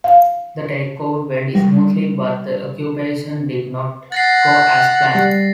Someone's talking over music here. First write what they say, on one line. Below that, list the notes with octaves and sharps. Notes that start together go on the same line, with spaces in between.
The takeover went smoothly, but the occupation did not go as planned.
F5
G3
F#5 A6 A#6 C7
G3